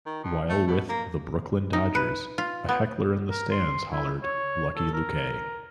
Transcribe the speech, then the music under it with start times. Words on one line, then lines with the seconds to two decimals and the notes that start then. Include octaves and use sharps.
While with the Brooklyn Dodgers, a heckler in the stands hollered Lucky Luque!
0.06 D#3
0.24 F2
0.49 A3
0.67 B2
0.89 A#3
1.73 D#4
1.95 B4
2.38 F4
2.69 B3
3.31 A#4
3.52 C6
3.92 E4
4.23 C#5
4.76 A4
4.94 A#4